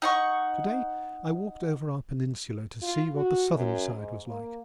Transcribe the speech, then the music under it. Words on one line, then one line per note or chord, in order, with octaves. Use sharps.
To-day I walked over our peninsula to see what the southern side was like.
D#4 F#5 C#6
F4
F#4
F#2
G#2
A#3